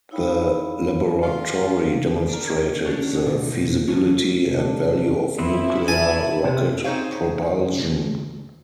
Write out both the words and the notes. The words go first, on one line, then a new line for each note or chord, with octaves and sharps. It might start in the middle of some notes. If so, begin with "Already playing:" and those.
The laboratory demonstrated the feasibility and value of nuclear rocket propulsion.
D#4 E4 C#5 F5 G5 B5
F4
D4 A#4
C#4 D4 C#5
B2 D#3
E3 F#3 C#4 A4 C#5
C3 G3 A3 D4
B3 C4 E4
G#5 A5
C3
C4 D#4 G#4 C5 C#5 F5